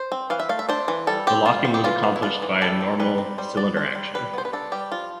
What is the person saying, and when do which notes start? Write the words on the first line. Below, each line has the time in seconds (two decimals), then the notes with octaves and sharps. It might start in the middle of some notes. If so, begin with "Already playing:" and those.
The locking was accomplished by a normal cylinder action.
Already playing: C5
0.12 C4
0.30 E3 F5
0.39 E5
0.49 A3 F5
0.59 E5
0.69 D4 C5
0.88 E3
1.07 G3 A4
1.27 C4 G4
1.45 G3 F4
1.65 C4
1.74 G4
1.84 E3 F4
2.03 B3
2.16 E4
2.22 D4 F4
2.42 E3
2.61 G3 A4
2.81 C4
3.00 G3 B4
3.18 C4
3.38 G3 C5
3.57 B3 D5
3.77 D4 C5
3.95 G3
4.14 G3 B4
4.33 B3 C5
4.45 B4
4.53 D4 A4
4.72 G3 G4
4.92 F3 F4